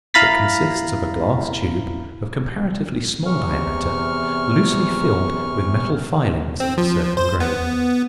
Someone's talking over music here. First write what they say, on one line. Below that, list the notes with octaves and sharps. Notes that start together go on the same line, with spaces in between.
It consists of a glass tube, of comparatively small diameter, loosely filled with metal filings of a certain grade.
E4 F5 A#5 B5 A6 B6
E2 C3 E3 C#6 F6
C4
F3
C5
B3